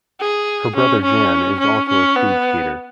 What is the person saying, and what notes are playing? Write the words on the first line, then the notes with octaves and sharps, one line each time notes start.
Her brother Jan is also a speed skater.
G#4
C#4
C#4
C#4
C#4
B3